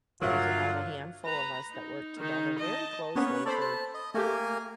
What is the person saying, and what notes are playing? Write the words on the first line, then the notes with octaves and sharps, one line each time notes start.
there's about a handful of us that worked together very closely for
G2 D3 F#3 F4 A#4 E5 F5
B4 A#5
D#4
D#3 D#4
D#5 A5
A#3 B3 C#4 B4 C#5
A4 C5 D5 B5
A5
D#5
A3 A#3 G4 A#4 G#5